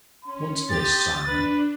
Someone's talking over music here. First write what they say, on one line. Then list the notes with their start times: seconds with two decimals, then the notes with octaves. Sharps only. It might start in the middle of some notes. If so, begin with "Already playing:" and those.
"What's this, Simon?"
0.24 C#4 C6
0.72 G4 D#6 A6
1.27 D4 B4